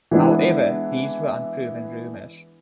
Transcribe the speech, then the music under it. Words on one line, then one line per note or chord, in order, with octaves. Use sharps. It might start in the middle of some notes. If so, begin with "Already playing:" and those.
However, these were unproven rumours.
E3 G#3 B3 D4 E4